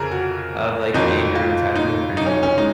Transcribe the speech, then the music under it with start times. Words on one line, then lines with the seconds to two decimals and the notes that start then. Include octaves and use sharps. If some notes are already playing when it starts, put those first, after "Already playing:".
of, like, anger and entitlement, like, are you,
Already playing: F2 C#3 G#4 A#4
0.12 F#4
0.93 F#1 F2 D#3 F#3 D#4
1.35 F4
1.76 D#4
2.17 D#4
2.26 C#4
2.43 C#4
2.58 G#3 D#4